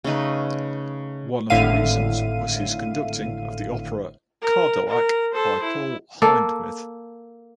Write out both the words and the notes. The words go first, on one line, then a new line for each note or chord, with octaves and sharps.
One of the reasons was his conducting of the opera "Cardillac" by Paul Hindemith.
C#3 A3 D#4 B4
G#1 A2 D3 E5 F5 D#7
A#4
A#4
A4 C5
E4
A#3 A4